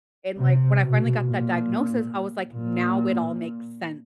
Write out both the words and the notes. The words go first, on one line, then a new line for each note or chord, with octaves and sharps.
and like, when I finally got that diagnosis, I was like, "Now it all makes sense."
C3
B2
A#2
A#2